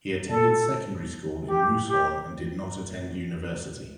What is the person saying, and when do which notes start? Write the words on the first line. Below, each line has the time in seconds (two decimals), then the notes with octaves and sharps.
He attended secondary school in Moosehorn, and did not attend university.
0.29 A4
1.49 G4
1.89 G4